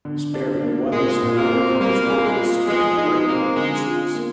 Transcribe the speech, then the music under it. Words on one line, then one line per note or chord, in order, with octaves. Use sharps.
Sperry won this award for his work with "split-brain" patients.
D3
D4
A#3
A#2 G#3
A#2
A#3
C4
G3 A#3
G#4
G#3
F4
F3 G#3
G#3 D#4
A#3 C4
D3 G#3
F4
A#3